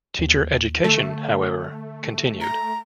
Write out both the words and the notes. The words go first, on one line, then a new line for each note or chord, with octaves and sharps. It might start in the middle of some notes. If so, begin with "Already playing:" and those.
Teacher education, however, continued.
D#2
D3 A3
A#5